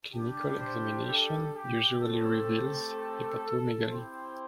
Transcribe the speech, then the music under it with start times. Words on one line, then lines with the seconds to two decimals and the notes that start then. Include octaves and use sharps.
Clinical examination usually reveals hepatomegaly.
0.13 G3 D4 G4
0.59 C5
1.07 A4
1.54 G4
2.01 A3 C4 G4 A4
3.89 C4 E4 G4 C5